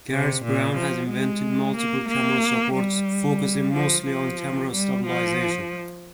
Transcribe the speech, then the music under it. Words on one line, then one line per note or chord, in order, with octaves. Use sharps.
Garrett Brown has invented multiple camera supports focusing mostly on camera stabilization.
C3
A#2
F3
G#3
A#3
A#3
G3
F3
F3
G3
F3